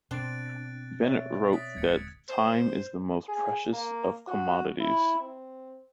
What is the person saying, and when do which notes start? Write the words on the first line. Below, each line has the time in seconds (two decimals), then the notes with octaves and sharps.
Bennett wrote that time is the most precious of commodities.
0.11 B2 C4 D4 F#6 A6 D7
1.03 C#5 D5 E5
1.53 D#6 A6 B6
1.77 D1 G#3 G#6 C#7
2.29 C5
3.29 G#4
3.73 A#3
4.28 F#4
4.80 E4
5.21 C4